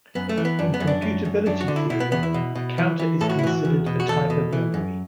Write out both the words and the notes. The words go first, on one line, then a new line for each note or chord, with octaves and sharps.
In computability theory, a counter is considered a type of memory.
F#2 B3
A3
E3
B3
F#2 D4
B3
F#2
D4
F#2
F#2
F#2 D4
F#4
D3
E4
B2 E4
B3
E2 B3
E4
B2
B2
E3
E3
A2 A4
F#4
E4
E3 F#4
E2
B2
F#4
E2 A4
B2
E3
F#2